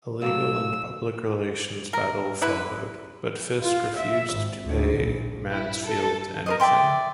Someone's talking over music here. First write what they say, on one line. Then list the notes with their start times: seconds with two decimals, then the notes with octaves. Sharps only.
A legal and public relations battle followed, but Fisk refused to pay Mansfield anything.
0.22 A2 F#3 A#3 F#4 F5 E6
1.93 A#4
2.42 D3 E4 B4
3.63 F4
3.96 E5
4.32 G#1
4.65 D2
4.97 A#1
5.50 E4
5.84 A4
6.46 A#4 C5 D#5
6.60 D5 E5 G5 C6